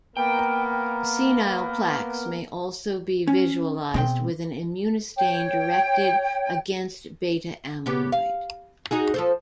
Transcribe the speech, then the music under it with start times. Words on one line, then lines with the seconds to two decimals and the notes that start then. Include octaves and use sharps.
Senile plaques may also be visualized with an immunostain directed against beta amyloid.
0.17 A#3 B3 A#4 G5
3.27 C#4
3.94 B2 G#3 C4 G5
5.16 C#5 G5
7.86 C#3 B3 G4
8.12 F5
8.91 D#4 F#4 G#4
9.14 F3 A4 C5